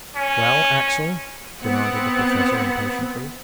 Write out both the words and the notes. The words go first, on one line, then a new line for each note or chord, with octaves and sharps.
"Well, Axel?" demanded the Professor impatiently.
C#4
B3 C4 F#5